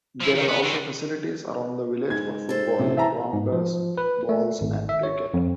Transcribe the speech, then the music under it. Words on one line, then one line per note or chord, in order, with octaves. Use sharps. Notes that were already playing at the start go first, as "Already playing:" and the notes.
There are also facilities around the village for football, rounders, bowls and cricket.
F3 E4
D#3
B3 B4
D3 D#3
G#2 G#6
A4 C5
F#1 C3
E3 E5 A5 A#5
G#2
F3
B4
A3
G#1
E5
C#5
F2